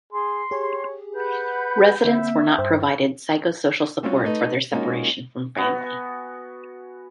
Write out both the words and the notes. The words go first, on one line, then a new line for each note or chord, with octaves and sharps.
Residents were not provided psychosocial supports for their separation from family.
G#4 C6
G4 G#4 C#5
B4 F#5 B5 G6
D3 A#3 C4 E5
G2 C5 G5
G3 C4 C#4 F4 F#4 F5
A3 D#4 B4
G#3 A#3 C#4 D#4 F4 F#4
B3 F#4 G#5